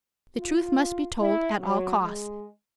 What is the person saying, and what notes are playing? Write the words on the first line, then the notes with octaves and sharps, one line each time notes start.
The truth must be told at all costs.
F4
E4
F#3
G#3